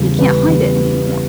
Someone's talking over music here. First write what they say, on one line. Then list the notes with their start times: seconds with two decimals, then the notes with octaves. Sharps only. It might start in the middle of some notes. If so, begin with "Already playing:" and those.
You can't hide it anymore.
Already playing: E2 C#3 G3
0.18 E2 C#3 G3 B4
0.48 E2 C#3 G3